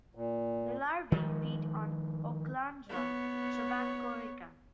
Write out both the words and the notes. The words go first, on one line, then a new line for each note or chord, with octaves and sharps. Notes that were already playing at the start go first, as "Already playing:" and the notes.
The larvae feed on "Ochlandra travancorica".
A#2
D#3 F3 G#3
B3 C#5